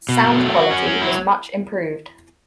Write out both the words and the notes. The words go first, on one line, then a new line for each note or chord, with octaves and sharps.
Sound quality was much improved.
B2
A3
F#3
F#4
C#4
F#3
E4